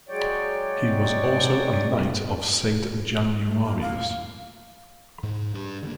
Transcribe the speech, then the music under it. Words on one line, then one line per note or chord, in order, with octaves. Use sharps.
He was also a Knight of Saint Januarius.
F#3 G#3 C#5 D5 G5
A3
A#3
F5
G#2
G2
D3 G3 A#3